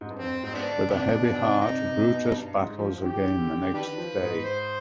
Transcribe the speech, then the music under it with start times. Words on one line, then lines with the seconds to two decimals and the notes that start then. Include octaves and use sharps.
With a heavy heart, Brutus battles again the next day.
0.01 G#2
0.10 G2
0.19 F2 C4
0.43 G#2 C4
0.55 B3 D4
0.67 D3
0.83 D3
0.90 C3 B3 D4
1.14 B2
1.38 C3
1.61 C3 D#4
1.85 C3
2.08 B2
2.32 G2
2.55 G#2
2.79 F3
3.03 D#3 G4
3.38 D3
3.74 D#3 D4 G4 B4
3.97 F3
4.21 G#2
4.44 C5